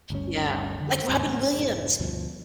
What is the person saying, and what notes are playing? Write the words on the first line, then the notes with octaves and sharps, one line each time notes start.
Yeah, like Robin Williams,
G1 D2 G2 C#4
F2 D3
D#2 G#2 C4
A1 A2 C#4
F1 G#2
D2 G2 B2 F3